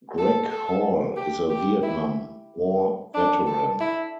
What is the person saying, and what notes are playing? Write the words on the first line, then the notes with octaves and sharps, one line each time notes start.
Greg Hall is a Vietnam war veteran.
A4
A4
G4
G4
E4
D4
A4
E4